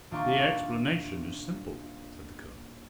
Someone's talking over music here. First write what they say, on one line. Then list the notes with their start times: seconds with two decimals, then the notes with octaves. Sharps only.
"The explanation is simple," said the colonel.
0.11 D#1 D4 F4 D5 A#5 C#6